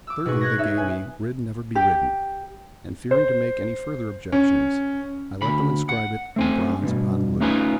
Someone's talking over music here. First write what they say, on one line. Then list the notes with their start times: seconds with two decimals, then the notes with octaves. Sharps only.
Thirdly, they gave me, 'Ridd never be ridden,' and fearing to make any further objections, I let them inscribe it in bronze upon blue.
0.07 D6 E6
0.25 B2 D#4 G#4 B4 C#6
0.41 F#6 G#6 A#6
0.58 D#4 C#5 E5
0.78 B4 G#5
1.75 G4
3.11 C5
4.32 C#4
5.42 D2 B5
5.89 F#5
6.36 A3 C4 G#5
6.82 D2 G2 B2
7.41 A3 C#4 D#4 F4 B4 G#5